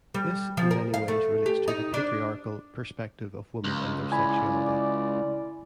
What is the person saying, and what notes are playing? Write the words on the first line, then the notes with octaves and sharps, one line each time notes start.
This, in many ways relates to the patriarchal perspective of women and their sexuality.
G3
F3
A#4
F5
A3
G4
D#4
D4
C#2
E4 D5 G#5 B5